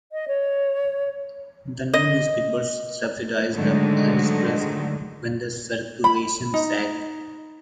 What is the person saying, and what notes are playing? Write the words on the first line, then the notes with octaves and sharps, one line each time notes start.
The new newspapers subsidised "The Irish Press" when its circulation sagged.
D#5
C#5
D#5
G#2 D3 D#3 F#3 G#3 A3
B5
D#4